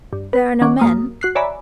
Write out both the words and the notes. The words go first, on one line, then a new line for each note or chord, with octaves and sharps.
"There are no men?"
G2
B4
D#3 C#4 F#5 D6
F#2 A#3 D#6
F#4 F#6 C7
C#5 D5 E5 G#5 A#5 B5